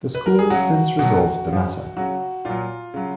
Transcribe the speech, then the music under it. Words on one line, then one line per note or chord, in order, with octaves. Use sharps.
The school since resolved the matter.
B4
A#4
G#4
C#3 F#3 F#4
B2 F#3 F#4
C#3 F3
C#3 F#3 F#4
A#2 F#3 F4
C#3 F#3